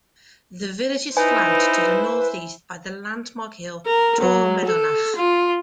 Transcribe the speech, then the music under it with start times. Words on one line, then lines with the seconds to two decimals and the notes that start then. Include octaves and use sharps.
The village is flanked to the northeast by the landmark hill Torr Meadhonach.
1.17 D#4 E4 B4 C5 G#5
3.87 A#4
4.22 F#3
4.66 A4
5.17 F4